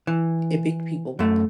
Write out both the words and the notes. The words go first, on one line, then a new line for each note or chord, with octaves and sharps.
evict people w
E3
F#2 A3